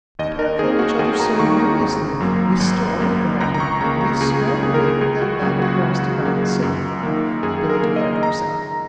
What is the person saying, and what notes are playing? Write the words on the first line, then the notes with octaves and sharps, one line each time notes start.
The pair called each other, ceremoniously, "Mr. Arkwright," and "Miss Greggory"--but then, that, of course, did not "signify," Billy declared to herself.
D#2 D#5
A#4
D#3 A#3 G#4
F#4
D#2 G#4
A#5
D#3 A#3 C#6
A#5
G#1
F#2 F#3 A#3
G#1
F#2 F#3 A#3
C#2 A#5
A#5
C#6
C#3 A#3 A#5
A#5
C#2 G#4
G#4
C#3 A#3 G#4
A#4
C#2 G#4
F#4
C#3 F#3 A#3 G#4
F#4
C#2
C#3 F#3 A#3
F#2
D#3 A#3
F#2 G#4
A#4
D#3 A#3
D#5
A#5